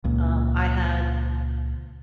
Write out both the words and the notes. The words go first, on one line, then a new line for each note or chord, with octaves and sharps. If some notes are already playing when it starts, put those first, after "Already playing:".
um, I had
C#2 A#2